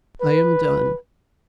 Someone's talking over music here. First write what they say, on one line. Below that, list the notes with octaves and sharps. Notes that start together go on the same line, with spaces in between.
I am done.
B4